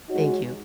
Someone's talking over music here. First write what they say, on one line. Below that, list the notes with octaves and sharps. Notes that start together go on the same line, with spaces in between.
thank you.
G#3 D#4 F#4 C#5